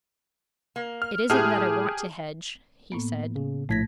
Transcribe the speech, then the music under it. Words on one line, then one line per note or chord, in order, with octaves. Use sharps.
'It isn't that I want to hedge,' he said.
A#3
F6
A2 G4 G#4 F6
A2 A#3 B3
C#3
A#1 A2 A3 G#6 A#6 B6